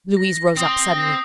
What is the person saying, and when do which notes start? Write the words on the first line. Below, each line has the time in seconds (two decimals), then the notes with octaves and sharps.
Louise rose up suddenly.
0.17 A#6
0.30 A#6
0.57 C4 D#6
0.98 C7